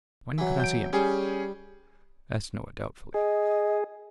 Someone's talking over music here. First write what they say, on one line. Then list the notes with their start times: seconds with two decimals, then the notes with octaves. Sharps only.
'When could I see him?' asked Noah doubtfully.
0.38 E3 F#3
0.60 G6 D7
0.93 G3 C#4 G#4
3.14 G#4 D#5